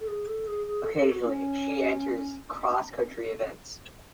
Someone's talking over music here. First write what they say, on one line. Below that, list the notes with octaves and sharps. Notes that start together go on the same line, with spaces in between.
Occasionally, she enters cross country events.
A4
G#4
A4
G#4
G#4
A4
A4
F#4
C#4